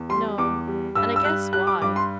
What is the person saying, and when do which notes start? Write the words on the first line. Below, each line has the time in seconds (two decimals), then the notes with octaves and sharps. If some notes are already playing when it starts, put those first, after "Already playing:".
'No; and I guess why.
Already playing: E2
0.09 G3 C6
0.38 E2 D6
0.68 G3
0.95 G2 E6
1.16 E6
1.24 G3 F#6
1.53 G3 F#6
1.67 D6
1.82 G2 D6
1.96 C6